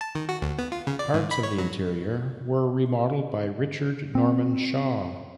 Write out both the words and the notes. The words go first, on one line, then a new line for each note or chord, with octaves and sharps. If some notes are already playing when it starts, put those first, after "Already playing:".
Parts of the interior were remodelled by Richard Norman Shaw.
A5
D#3
F#4
D2
B3
F4
C#3
D5
G#2
B5
C#5
F#3
C4